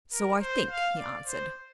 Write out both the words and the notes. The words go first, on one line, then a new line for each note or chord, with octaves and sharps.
'So I think,' he answered.
A#4
C5
F5
D5
C5